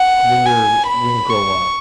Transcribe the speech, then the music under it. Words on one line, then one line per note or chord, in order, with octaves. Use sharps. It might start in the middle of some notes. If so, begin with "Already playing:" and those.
when you're when you grow up,
Already playing: F#5
G#5
B5
C#6